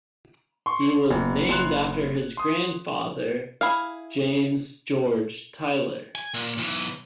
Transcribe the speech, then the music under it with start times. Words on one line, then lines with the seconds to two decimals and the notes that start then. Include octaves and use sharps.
He was named after his grandfather, James George Tyler.
0.66 C6 C#6
1.10 F#1
1.49 F#1 C6 F#6
2.37 C6 D#6
3.61 E4 G#4 F5
6.15 G#5
6.34 A#2
6.58 B1 E3